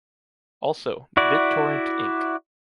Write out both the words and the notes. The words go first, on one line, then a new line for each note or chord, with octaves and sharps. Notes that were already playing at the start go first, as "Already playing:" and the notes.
Also, BitTorrent Inc.
E4 F#4 D5